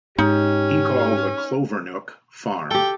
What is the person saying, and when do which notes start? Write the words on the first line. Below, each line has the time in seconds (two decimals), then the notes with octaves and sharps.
He called the Clovernook Farm.
0.18 G#2 C#4 D#4 G4
2.71 G4 A4 G5